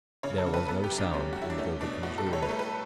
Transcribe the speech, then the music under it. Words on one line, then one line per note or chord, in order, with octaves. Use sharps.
There was no sound in Govicum's room.
C#3 C#5
A4
C#3
B4
B3 A4
G4
F#2
D4
G3 C#4
G3 F#4
E4
D4
A3 C#4
B2 D4
A2 F#4
A4
G3
C#5
B4
A3 A4
B4